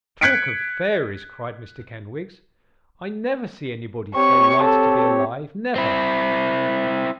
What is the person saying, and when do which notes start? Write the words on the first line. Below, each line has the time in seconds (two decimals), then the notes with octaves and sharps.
'Talk of fairies!' cried Mr Kenwigs 'I never see anybody so light to be alive, never.
0.21 F#6 G#6 B6 C#7 D7
4.15 C4 G4 C#5 C#6
4.64 A4
5.76 C4 E4